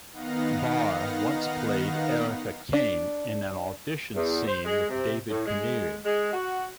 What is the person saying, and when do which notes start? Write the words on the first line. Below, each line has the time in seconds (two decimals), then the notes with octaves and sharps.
Barr once played Erica Kane in an audition scene with David Canary.
0.13 D#3 B3 D#4 F5 F#5 A#6
2.73 D4
4.14 E2
4.47 C5
4.64 G#3
4.89 C3
5.29 A2
5.46 G#3
6.04 G#3
6.33 F#4